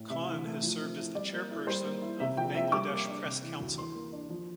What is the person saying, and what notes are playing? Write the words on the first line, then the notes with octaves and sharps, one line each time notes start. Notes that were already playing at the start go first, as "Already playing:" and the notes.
Khan has served as the Chairperson of Bangladesh Press Council.
Already playing: A2
C3 E5
E3
A3
F3
C4
E4
G3 D5
A#3
E4
G3 C5
A#3
E4
C3 E5
F3 G5
C4 E5
G3 D6
A#3
D4
C3
E3
D2
E3 C6
A#3
D4
F3